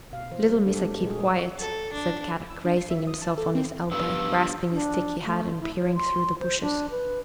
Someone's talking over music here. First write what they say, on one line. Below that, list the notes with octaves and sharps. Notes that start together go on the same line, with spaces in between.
"Little Missa keep quiet," said Kadok, raising himself on his elbow, grasping a stick he had and peering through the bushes.
B2 F5
E3 C5
G3
D4 G4 A4 A#4
G#3
A#2 G3 F#4 G#4
A4
D4
E6
D4
C7
E5
D#6
A5
A4
C4
G2 F3 B3 F4 E6
D4
A3
E4
C#5
C6
C5
D4
B4